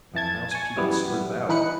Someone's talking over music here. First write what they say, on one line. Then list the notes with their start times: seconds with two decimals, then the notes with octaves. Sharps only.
In the house people stirred about.
0.14 F2 E3 A5 G#6
0.51 G#5 C#6
0.76 F#2 E3 G3 B3
1.49 E3 D#4 B4 F#6 C#7